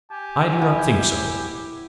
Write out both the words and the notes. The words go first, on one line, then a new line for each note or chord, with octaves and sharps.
I do not think so.
G4 G#5
E4 F#5